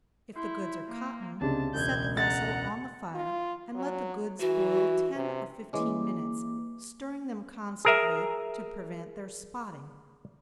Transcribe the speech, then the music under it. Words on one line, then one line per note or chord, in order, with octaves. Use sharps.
If the goods are cotton, set the vessel on the fire, and let the goods boil ten or fifteen minutes, stirring them constantly to prevent their spotting.
E4 C6 G6 C7
A#3
C#2 C3 D4 A5
E1 G6 G#6
F#5 A#5 A6
F4
F#3
E3 F#4
C3
E3 G#3 A#3 C#4 D6
G#4 A#4 E5